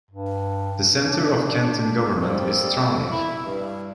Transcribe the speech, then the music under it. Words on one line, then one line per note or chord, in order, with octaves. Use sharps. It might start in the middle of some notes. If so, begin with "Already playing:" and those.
The center of canton government is Travnik.
G2
D4
G3 A#3 C4 A4 D#5
E4
G2